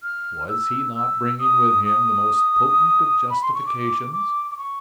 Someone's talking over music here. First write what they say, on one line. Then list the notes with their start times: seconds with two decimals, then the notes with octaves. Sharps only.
Was he not bringing with him the most potent of justifications?
0.03 F6
0.49 E6
0.94 E6
1.40 D#6
1.85 D#6
3.30 B5
3.42 C6
3.54 C#6
3.66 D6
4.12 D6
4.51 D6
4.58 C#6